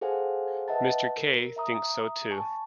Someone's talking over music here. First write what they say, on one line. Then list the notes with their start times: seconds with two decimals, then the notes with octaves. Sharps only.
Mr. Kay thinks so too.
0.01 G#4 A4 C5 F5 F#5 G#5
0.68 B4 D#5 E5 F#5 A5 A6
1.18 A#4
1.56 E5 A#5 D#6
2.31 G#5 A5 C#6